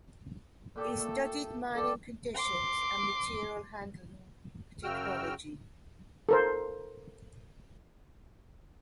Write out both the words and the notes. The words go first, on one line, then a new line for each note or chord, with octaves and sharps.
He studied mining conditions and material handling technology.
A#2 G4 A4
A3
G4 A4 D5
C6 D6
F#2 C#3 F#4 G5 E6 F6
A4 A#4 C5